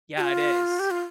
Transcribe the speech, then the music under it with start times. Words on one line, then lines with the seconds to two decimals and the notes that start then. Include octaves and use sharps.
Yeah, it is.
0.17 G4
0.21 F4
0.79 G4
0.91 F4